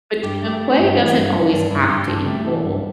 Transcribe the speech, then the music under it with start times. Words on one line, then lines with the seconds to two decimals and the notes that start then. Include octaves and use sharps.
But, you know, play doesn't always have to equal
0.23 G2 G4
0.42 A3
0.48 G4
0.60 A3
0.72 F#4
0.78 G2
0.96 E3 A3
1.15 G2 B3
1.34 E3 C#4
1.52 G2 D4
1.71 G2 E4
1.89 G2 G4
2.07 G2 A4
2.26 A3 G4
2.40 G4
2.44 E3 A4
2.63 G2